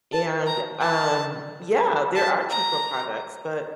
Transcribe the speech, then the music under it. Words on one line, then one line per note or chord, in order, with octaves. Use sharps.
and, um, yeah, there are cheaper products, but
A5
A#5
A5
A5
A#5